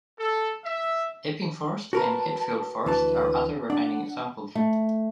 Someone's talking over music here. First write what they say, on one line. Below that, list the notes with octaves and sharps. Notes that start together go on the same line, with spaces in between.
Epping Forest and Hatfield Forest are other remaining examples.
A4
E5
F#4 A#4 B4 A5
D2 E3 B4 A5
D4 D5 F#5
A3